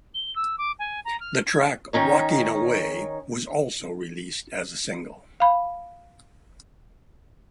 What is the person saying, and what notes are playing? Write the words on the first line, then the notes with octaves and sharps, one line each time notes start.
The track "Walking Away" was also released as a single.
G7
E6
D6
G#5
A#5
F6
G#6
D#3 C#4 D#4 C#5
F5 B5